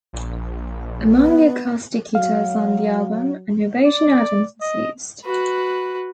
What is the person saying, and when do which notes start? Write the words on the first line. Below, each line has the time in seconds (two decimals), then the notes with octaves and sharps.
Among the acoustic guitars on the album, an Ovation Adamas was used.
0.13 A#1
1.15 B3
2.15 F#3 F5
3.85 D5
4.62 D#5
5.25 F#4 B4